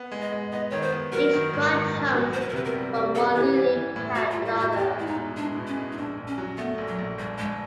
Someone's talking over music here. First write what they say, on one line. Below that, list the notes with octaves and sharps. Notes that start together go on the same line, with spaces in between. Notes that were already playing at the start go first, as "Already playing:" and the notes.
Each frog jumps from one lily pad to the other.
Already playing: B3
G#3
D#5
G#3
B3 D#5
D#3 C#5
C5
B3
F#3 A#4
D#3
G#2
D#3
A#1
F#3
B3 C5
B4
A#4
C3 B4
A#4
G3
G3 A#4
B3 A4
E3 G4
G3
E3
A2
A2 F#4
F4
G3
F4
A2 F#4
F#4
E2 G4
G#3 E4
D#4
B2
G#3 D4
B2
C#4
G#3
D#4
A#1 D4
A#1
C#4
F#3
A3 B3
A#1
F#3
A#1
G1 G3
G1 G#3